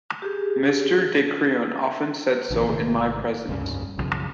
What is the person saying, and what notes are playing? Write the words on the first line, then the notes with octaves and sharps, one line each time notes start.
Mr. de Crillon often said so in my presence.
G4 G#4
A#1 D3 E3
G#1 C3 D#3 A3
F1 C#2 G2 C#3
B1 F#2 C#3 F3